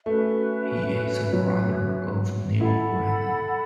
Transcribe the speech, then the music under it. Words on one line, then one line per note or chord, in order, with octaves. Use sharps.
He is the brother of Neal Brennan.
A3 C#4 F#4 B4 E5
F#3
E4 A4 F#5 B5